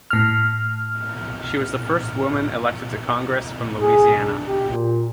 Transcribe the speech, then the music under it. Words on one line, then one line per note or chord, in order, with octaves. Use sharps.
She was the first woman elected to Congress from Louisiana.
A2 F6
G#4
D4
G4
A#2